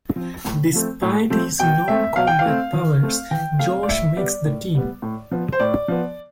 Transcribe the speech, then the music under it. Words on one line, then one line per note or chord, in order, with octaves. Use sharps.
Despite his non-combat powers, Josh makes the team.
F3 C4
A2
F3 A3 C4
A2
F3 A3 C4
B2 G5
A3 C4 E5
B2 F5
G5
F5
A3 C4
E3
A3 C4
E3 G5
A3 C4 F5
D5
A2 E5
G3 B3 D5
A2
G3 B3
A2
F3 B3
C5
A2 D5
F3 B3